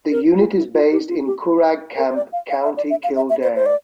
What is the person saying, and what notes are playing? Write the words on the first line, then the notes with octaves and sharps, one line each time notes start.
The unit is based in the Curragh Camp, County Kildare.
A#4
F4
E4
F4
G4
F4
G4
A#4
C5
D5
F5
F5
E5
D5
E5
F5
E5
E5
C5
C5
D5